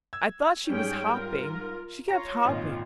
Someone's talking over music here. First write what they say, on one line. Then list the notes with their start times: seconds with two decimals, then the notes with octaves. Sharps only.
I thought she was hopping; she kept hopping....
0.13 E6 G#6
0.69 G#2 G3 C#4 G#4 G5
1.14 F4 A#4
2.08 F4 C#5 A#5 A#6
2.45 G#1 A#2 F4 D#5